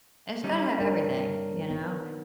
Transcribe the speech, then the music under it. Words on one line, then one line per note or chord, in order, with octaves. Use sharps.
it's gotta have everything, you know,
G3 C#4 D#4
G2 D4 A#4 C#5
D#3 B3